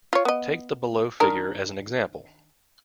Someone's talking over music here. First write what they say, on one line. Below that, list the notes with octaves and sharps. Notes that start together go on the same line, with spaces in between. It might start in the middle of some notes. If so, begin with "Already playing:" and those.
Take the below figure as an example.
F4 C#5
B3 D#5
D#3 D4 A#4